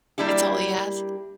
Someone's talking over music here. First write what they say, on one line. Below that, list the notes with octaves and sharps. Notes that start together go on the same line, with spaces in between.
It's all he has.
G3 A#3 D4 E4 G4